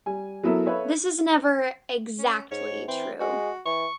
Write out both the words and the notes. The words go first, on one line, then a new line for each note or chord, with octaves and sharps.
This is never "exactly" true.
G3 G#5
F#3 B3 E4 A4 A#4 E5
A4 B4 C#5 E5 F5
C#4
G#2 C#5
E3 C4
G#3 F#4
E3 C#6